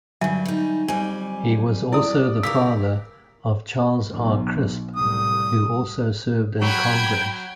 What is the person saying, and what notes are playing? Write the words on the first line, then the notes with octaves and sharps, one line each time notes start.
He was also the father of Charles R. Crisp who also served in Congress.
G2 D3 F#3 G3 E5 G#5
G3 D#4
F2 G3 G#5
E4 D5 D#6
C#3 G4 A#4 D6 E6 B6
B1
C2 A2 D#6
F#3 G5 B5 F#6 G#6